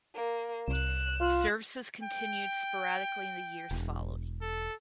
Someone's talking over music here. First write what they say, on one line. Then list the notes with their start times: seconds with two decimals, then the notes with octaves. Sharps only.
Services continued sporadically in the years following.
0.15 A#3
0.68 C2 F#6 E7
1.20 F4
2.03 G5
3.71 E1
4.42 A4